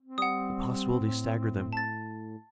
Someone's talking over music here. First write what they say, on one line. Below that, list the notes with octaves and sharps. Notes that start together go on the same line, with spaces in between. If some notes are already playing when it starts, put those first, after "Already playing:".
The possibility staggered them.
C4
G3 F#5 D#6
A2
A5 A6